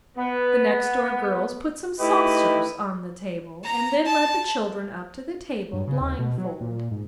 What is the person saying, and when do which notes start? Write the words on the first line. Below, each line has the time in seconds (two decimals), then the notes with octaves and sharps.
The next-door girls put some saucers on the table and then led the children up to the table, blindfold.
0.18 B3
1.99 A3 D#4 E4 G4 B4 D#5
3.64 A#5
4.05 A5
5.73 G2
5.88 C#3
6.01 D#2
6.19 B2
6.38 F#3
6.61 A#2
6.91 G#2